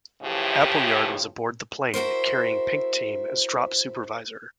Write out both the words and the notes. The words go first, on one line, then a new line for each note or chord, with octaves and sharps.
Appleyard was aboard the plane carrying 'Pink' team as drop supervisor.
F2 A2 C#3 E3 F3 G4
E4 F#4 A#4 C5